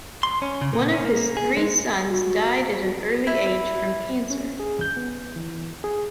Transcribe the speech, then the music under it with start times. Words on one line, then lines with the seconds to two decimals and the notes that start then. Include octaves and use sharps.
One of his three sons died at an early age from cancer.
0.23 C6
0.42 C#4
0.62 C#3
0.73 A#2
0.93 C#4
1.05 A#3
1.37 G#4
1.57 G#3
2.09 F#4
3.27 E4
4.30 C#4
4.60 G#4
4.81 G6
4.97 B3
5.36 E3
5.84 G#4